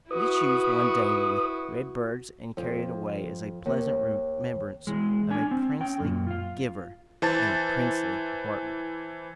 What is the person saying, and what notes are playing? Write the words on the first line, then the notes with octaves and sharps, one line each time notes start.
We choose one dainty with red birds, and carry it away as a pleasant remembrance of a princely giver, in a princely apartment.
E4 F#4 B4 D#6
F2
D#2
E3 G#3
D4 G#5
C4
C#4 G5
F#2 A#2
F4 F5
E3 C5 A5 A6